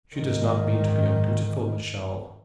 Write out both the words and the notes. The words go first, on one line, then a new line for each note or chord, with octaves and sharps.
'She does not mean to be undutiful, Michel.'
G#2 D#3